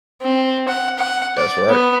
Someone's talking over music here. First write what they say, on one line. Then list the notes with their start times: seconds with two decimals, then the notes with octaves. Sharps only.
That's right.
0.22 C4
0.68 F#5
0.99 F#5
1.38 D5
1.69 B3